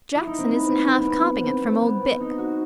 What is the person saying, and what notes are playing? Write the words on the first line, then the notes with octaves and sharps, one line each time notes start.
'Jackson isn't half copping it from old Bick.'
E4
D#4
C4
B3
C4
C4
B3
C4
B3 C4
C4
B3
C4
C4
D#4
F#4